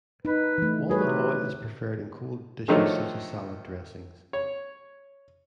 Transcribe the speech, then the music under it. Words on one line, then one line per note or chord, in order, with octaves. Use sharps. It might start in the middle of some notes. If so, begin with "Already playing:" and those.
Walnut oil is preferred in cold dishes such as salad dressings.
D#4 B4
E3 A3
F#4 G#4 B4 C#5
C3
D3 D#3 F3 F#3 A3 D#4
C#5